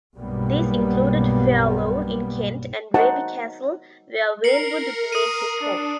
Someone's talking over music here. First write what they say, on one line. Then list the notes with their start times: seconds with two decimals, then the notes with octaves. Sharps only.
These included Fairlawn in Kent, and Raby Castle, where Vane would make his home.
0.18 B1 G2 G3 A#3 B3
2.94 D#4 F#4 A#4 C5 F#5 A5
4.44 A#4 C7 C#7 F#7
5.12 D#6 D#7
5.60 D4